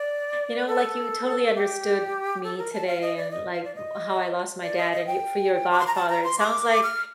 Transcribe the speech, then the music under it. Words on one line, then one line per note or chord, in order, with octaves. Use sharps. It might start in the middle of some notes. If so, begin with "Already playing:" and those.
you know, like, you totally understood me today and, like, uh, how I lost my dad, and you for your godfather. It sounds like,
Already playing: D5
A4
G4
A4
A#4
A5
F5
D#5
D5
D#5
F5
D5
D#5
D5
D#5
D#5
G5
D6
C6
A#5
A5
A#5
C6
D6
F6